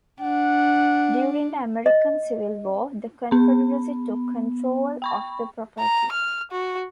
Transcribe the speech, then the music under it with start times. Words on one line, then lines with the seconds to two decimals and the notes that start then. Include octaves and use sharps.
During the American Civil War, the Confederacy took control of the property.
0.21 D4 F#5
1.86 D#5
3.31 B3 B5
5.02 G5 B5 C#6
5.79 A#5
6.12 F6
6.52 F#4